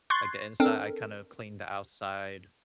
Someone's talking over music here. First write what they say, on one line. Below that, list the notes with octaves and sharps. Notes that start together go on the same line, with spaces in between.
like the inside. I kinda clean the outside,
C6 C#6 F#6 G#6 A6 C7
C4 D4 A4 A#4